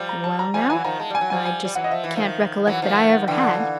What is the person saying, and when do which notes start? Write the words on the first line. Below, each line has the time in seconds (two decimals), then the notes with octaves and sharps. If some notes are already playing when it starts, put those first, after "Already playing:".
"Well now, I just can't recollect that I ever had."
Already playing: F3 G3
0.09 A#5
0.24 A5
0.39 A#5
0.54 F3 G3 G#5
0.70 E3 F#3 G#5
0.84 D#3 F3 A#5
1.00 G#3 A5
1.10 G3 G#5
1.21 F#3
1.30 F3 G3 G#5
1.46 G#5
1.65 G3
1.76 E3 F#3 F#5
1.84 D#5
1.91 F3 E5
2.04 E3
2.16 D#3 F3
2.67 E3 F#3 F#5
2.82 D#3 F3 F5
2.97 F#5
3.13 F#5
3.28 D3 E3 G5
3.43 A5
3.58 F5